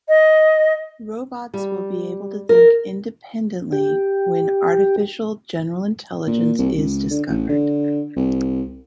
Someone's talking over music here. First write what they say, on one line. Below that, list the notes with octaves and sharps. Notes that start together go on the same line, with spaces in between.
Robots will be able to think independently when Artificial General Intelligence is discovered.
D#5
G3
A#4
G4
A#2
C2
C#2
D3
A1
D3
C2